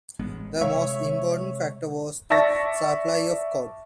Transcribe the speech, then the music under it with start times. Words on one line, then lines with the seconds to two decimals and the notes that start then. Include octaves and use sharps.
The most important factor was the supply of cod.
0.20 A1 G#3 B3
0.61 C3 G#3 C#5 E5
2.30 D5 E5 A5 C#6 A6 A#6